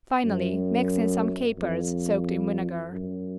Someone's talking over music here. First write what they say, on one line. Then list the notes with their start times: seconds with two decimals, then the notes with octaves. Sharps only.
Finally mix in some capers soaked in vinegar.
0.25 F#2
1.58 F2
2.91 F#2